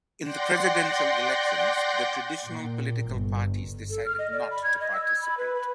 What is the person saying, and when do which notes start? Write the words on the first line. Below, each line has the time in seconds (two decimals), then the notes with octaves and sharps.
In the presidential elections, the traditional political parties decided not to participate.
0.22 D5 F#5 G5 C6 G6 A#6
2.47 A#2
3.04 G1
3.90 A4
4.05 F6
4.19 D#5
4.33 D5
4.51 B5
4.64 G#6
4.80 D#5
4.93 E6
5.05 G#6
5.21 B5
5.38 B4
5.55 B5